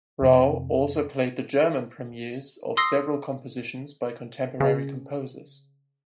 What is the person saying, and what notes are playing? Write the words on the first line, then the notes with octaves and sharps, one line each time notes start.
Rauh also played the German premieres of several compositions by contemporary composers.
F2 C3
C6 D#6 E6 A#6 C7
C#3